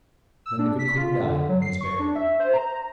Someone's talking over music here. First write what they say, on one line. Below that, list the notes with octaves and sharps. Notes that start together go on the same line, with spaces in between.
Then the good queen died, and was buried.
E6
D4
B6
F4
D3
F#3
C7
C#6
D4
E5
C5
A#5